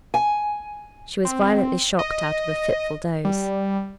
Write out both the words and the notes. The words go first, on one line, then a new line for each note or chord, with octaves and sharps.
She was violently shocked out of a fitful doze.
G#5
C4
D#5
G3